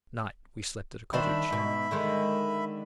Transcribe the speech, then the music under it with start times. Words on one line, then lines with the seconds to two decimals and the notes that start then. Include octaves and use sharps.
At night we slept at a cottage.
1.13 D#3 D4 C5 E5 B5
1.50 G#2 B2
1.91 D3 D#3 G#3